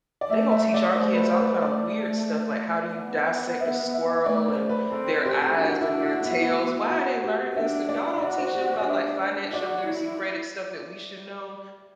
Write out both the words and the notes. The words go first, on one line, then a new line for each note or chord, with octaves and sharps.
They're gonna teach our kids all kinda weird stuff, like how do you dissect a squirrel and their eyes and their tails- why are they learning this? If y'all don't teach them about, like, financial literacy, credit stuff that we should known?
D5
A3 E5
E5
D5
A3 C5
B4
C5
B4
A3 D5
B3
E5
E5
E5
A3 D5
C5
A3
B4
C4 A4
G4
A4
G4
D4 F#4
E4
D4
F#4
B3 E4
F#4
E4
F#4
G4
D4 E5
D5
E5
F#4 D5
C5
G4
G4
D5
D4 E5
F#4 D5
E4